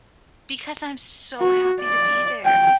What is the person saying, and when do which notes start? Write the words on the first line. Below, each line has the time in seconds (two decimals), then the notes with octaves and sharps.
because I'm so happy to be there,
1.40 F#4
1.81 D5
2.45 G5